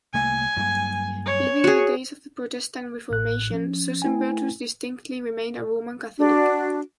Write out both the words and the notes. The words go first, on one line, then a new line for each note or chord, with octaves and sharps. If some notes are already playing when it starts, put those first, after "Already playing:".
Living in the days of the Protestant Reformation, Susenbrotus distinctly remained a Roman Catholic.
C2 A3 A#3 G#5
G2 F#3 A#3
C#5
F#4 G#4
A1 A2 F#6
F3 C#4
A3 E4 B4 G5 G#5
D4 F#4